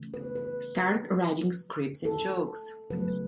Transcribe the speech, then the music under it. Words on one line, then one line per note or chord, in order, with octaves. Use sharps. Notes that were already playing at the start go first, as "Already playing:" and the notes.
Start writing scripts and jokes.
Already playing: C#3 E3 A3
B4
B4
A4
C#3 F#3 A3 B4